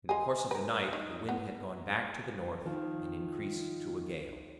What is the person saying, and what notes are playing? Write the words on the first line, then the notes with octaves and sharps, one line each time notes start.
In the course of the night the wind had gone back to the north, and increased to a gale.
G#3 G#4
A#4 B4
D#3
B3
D#3 F3